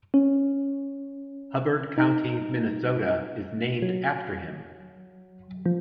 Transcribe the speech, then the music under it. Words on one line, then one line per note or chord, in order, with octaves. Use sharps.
Hubbard County, Minnesota is named after him.
C#4
D#4
F#3
F3